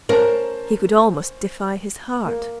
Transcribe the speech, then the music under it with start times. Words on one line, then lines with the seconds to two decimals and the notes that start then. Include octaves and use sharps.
He could almost defy his heart.
0.09 C#4 A#4 C5 A5
2.25 A#3